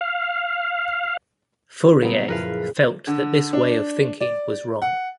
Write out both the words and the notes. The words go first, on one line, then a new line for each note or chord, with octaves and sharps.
Fourier felt that this way of thinking was wrong.
F5
A#2 C#3 F#3 G3 B3
F#1 A#2 F3 E4 A#4 B4 F5
D3
D4
D5
F#5